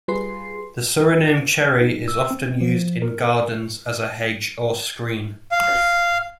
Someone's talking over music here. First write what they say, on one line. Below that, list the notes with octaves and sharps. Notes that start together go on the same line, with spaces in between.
The Suriname cherry is often used in gardens as a hedge or screen.
G3 F4 G#4 B4 C6 C7
D#4
E6
C4
F3
A#4
F5